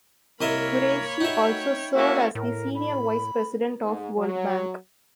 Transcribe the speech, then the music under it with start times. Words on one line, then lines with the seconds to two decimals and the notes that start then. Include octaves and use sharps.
Qureshi also served as the senior vice president of World Bank.
0.41 C2 A#3 A#4 C#5 D#5 E5 B5
1.21 D#4 F#4 E5 G5
1.95 A#3 C#4 E4 F#4 E5
2.35 A2 A#4
2.75 B5
3.84 G#2
4.18 F#3